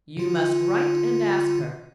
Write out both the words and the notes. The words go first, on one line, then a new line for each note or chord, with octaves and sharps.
"You must write and ask her."
D3 F4